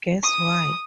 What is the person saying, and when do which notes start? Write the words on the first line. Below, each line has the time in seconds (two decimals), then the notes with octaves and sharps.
Guess why.
0.24 D#6